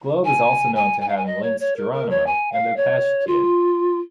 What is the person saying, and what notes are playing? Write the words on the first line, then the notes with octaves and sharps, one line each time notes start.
Globe is also known for having links to Geronimo and the Apache Kid.
G#5
G#5
G#5
F5
G#5
D#5
C#5
C#5
A#4
A#4
C#5
G#5
F5
C#5
F4